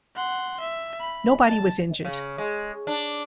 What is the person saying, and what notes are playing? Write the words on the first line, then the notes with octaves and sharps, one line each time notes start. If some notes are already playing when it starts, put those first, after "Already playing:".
Nobody was injured.
F#5 C6
E5
B5
A5
C#3
G#3
D4